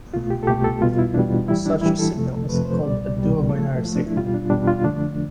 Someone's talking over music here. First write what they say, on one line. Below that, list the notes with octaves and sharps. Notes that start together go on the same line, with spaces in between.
Such a signal is called a duobinary signal.
C2 B2 A3 F4
G4
A4
C2 B2 A3 G4
A4
E2 B2 G3 F4
E4
E2 B2 G3 D4
A2 E3 G3 E4
D4
A2 E3 G3 E4
A4
F2 C3 F3 A3
F2 C3 F3 A3 B4
C5
C2 B2 G3 D5
C2 B2 G3
A2 F3 A3 A4
A2 F3 A3
D4
E4
E2 B2 G3 F4
D4
E2 B2 G3 D4
F4
F2 D3 F3 A3 D4